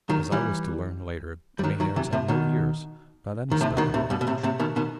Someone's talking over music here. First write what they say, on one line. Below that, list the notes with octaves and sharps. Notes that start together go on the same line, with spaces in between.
As I was to learn later, the Mahars have no ears, not any spoken language.
D#3 F#3
E3 G3
G3
D#3 F#3
D#3 F#3
C3 E3
A2 C3
B2 D#3
D#3
A2 C3
B2 D#3
A2 C3
G2 B2
B2
A2 C3
A2 C3
B2 D#3
B2 D#3